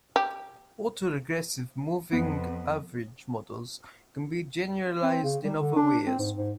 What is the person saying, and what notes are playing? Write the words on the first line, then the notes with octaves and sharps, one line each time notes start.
Autoregressive-moving-average models can be generalized in other ways.
G4
F2 B3
C4
C#3
G3
D3
D4
C4
G#2
G#2